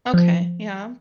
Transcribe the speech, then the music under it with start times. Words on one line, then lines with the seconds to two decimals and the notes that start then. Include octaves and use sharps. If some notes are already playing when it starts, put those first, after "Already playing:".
Okay, yeah.
0.14 F3